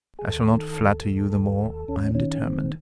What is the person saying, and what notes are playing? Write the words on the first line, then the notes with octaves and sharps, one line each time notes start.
I shall not flatter you the more, I am determined.
G#4
D#2 A4
D#3
D#2
D#2
D#2
D#2
D#2 C#4
D#3 C#4
D#3 C4